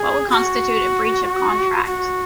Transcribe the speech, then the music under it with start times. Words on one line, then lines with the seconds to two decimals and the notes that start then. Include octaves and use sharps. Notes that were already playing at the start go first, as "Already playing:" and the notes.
What would constitute a breach of contract?
Already playing: G#4
0.30 F#4
1.85 F#4